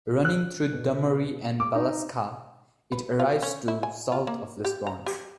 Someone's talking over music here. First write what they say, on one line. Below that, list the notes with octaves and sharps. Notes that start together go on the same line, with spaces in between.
Running through Dunmurry and Ballyskeagh it arrives to the south of Lisburn.
F#6
B2
D6
D#4
B4
F4
C#4
E4
G#5
F4
A#3
G4
A#5
G4